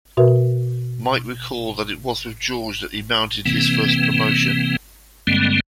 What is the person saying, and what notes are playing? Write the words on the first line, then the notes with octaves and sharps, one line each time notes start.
Mike recalled that it was with George that he mounted his first 'promotion'.
B2 F#4 A#4 B4 E5
C3 E3 A#3 C4
G2 D3 G3 G#3 A#3 C4